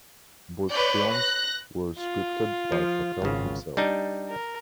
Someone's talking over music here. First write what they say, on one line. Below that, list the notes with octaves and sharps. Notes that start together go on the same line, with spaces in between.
Both films were scripted by Patel himself.
B4 C#5 D5 G6
F#6 A#6
F4
F3
G#1 C#3
G3 D4 D#4
A#4